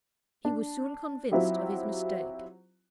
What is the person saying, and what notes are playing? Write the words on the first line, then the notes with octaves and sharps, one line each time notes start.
He was soon convinced of his mistake.
D4
F#3 C4 E4 F4 G4